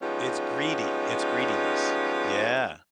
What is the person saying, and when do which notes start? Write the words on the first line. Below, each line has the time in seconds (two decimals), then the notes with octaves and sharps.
It's greedy, it's greediness. Yeah.
0.01 F3 G3 G#3 B3 C#4 D#4